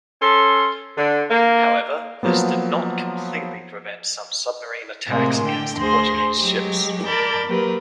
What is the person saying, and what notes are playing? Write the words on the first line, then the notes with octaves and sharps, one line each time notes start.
However, this did not completely prevent some submarine attacks against Portuguese ships.
C#4 A4 C6
D3
A#3
F3 F#3 A#3 B3
A2 C3 G#3 A#3
D3 G5
D2 G#4 C5 C6 A#6
F#3 G#3 G4
A#4 D5 A5 B5 G6 A6
F#3 A#3 G4 A#4 B4